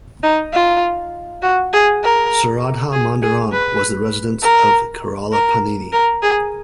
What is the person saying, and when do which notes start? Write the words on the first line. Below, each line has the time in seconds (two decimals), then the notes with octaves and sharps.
Saradha Mandiram was the residence of Kerala Panini.
0.23 D#4
0.53 F4
1.43 F#4
1.73 G#4
2.03 A#4
2.93 G#4
3.22 G#4
3.52 B4
4.42 A#4
5.32 A#4
5.93 A#4
6.23 G#4